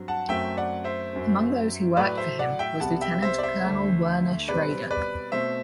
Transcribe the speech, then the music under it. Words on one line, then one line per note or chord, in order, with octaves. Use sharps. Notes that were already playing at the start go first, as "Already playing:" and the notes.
Among those who worked for him was Lieutenant Colonel Werner Schrader.
Already playing: G2 F#3 C4
F#5 A5
F#2 F#3 A3 C4 E5 G5
D5 F#5
C5 E5
F#2 F#3 C4
A2 F#3 A3 B4 D5
C5 E5
D5 F#5
E5 G5
C2 C3 G3 B3 F#5 A5
E5 G5
C5 E5
D5
C5 E5
D2 D3 A3
B2 G3 C4 B4 D5
B4 D5
B2 A3 C4 C5 E5